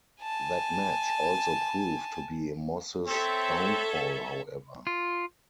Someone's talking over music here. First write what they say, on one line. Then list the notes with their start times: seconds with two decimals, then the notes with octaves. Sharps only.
That match also proved to be Moss's downfall, however.
0.22 G#5 A5
3.07 C4 A4 C#5 E5
4.87 F4